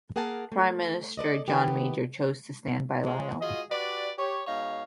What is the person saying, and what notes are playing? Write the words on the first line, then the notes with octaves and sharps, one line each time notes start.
Prime Minister John Major chose to stand by Lyell.
A#3 G#4 A#4 F#5 G#5 A5
A3
A4 B4 D5 D#5
D#3 B3 G4
F3 G#3
F4 F#4 G#4 D#5
F#4 G4 B4 D5
G4 C#5
B2 G#3 D#4 C#5 F5